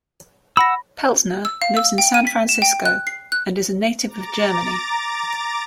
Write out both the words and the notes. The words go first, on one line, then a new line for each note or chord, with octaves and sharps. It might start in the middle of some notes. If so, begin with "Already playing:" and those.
Peltner lives in San Francisco and is a native of Germany.
F#5 B5 E6 A#6
E6
F5
E6
G5
D#7
B6
E7
G5
F#6
C7
F#6
A#5 D6 A6